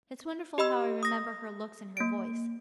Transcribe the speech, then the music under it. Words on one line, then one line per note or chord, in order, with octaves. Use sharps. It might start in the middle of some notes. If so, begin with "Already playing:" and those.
It's wonderful how I remember her looks and her voice.
G4 D#5 B5 E6
D#6 A#6
A#3 D7